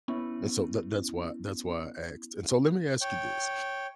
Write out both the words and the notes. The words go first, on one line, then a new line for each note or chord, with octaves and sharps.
And so that that's why that's why I asked and so let me ask you this,
B3 C#4 E4
C#5 G5